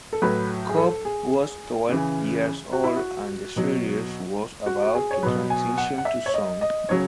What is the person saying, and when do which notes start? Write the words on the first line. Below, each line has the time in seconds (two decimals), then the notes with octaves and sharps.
Cobb was twelve years old, and the series was about to transition to sound.
0.13 A4
0.22 A2 F#3 B4
0.69 G#4
0.78 A4
1.05 G#4
1.89 C#3 E3
2.73 F#4
2.84 E4
2.97 F#4
3.56 B2 F#3
4.66 F#4
4.83 F#4
4.95 G#4
5.11 C#5
5.23 B2 F#3 B4
5.50 G#5
5.78 F#5
5.98 F#5
6.05 E5
6.26 C#5
6.34 D#5
6.61 D#5
6.89 C#3 F#3 C#5